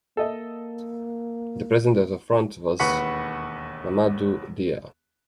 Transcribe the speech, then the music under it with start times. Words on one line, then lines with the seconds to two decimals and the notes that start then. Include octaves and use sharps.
The president of the front was Mamadou Dia.
0.17 A#3 A4 D#5 E5
2.80 E1 D#2 B4 F#5 C#6 B6